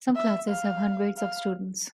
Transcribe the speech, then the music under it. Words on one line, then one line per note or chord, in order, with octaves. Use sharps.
Some classes have hundreds of students.
E5
F5
F5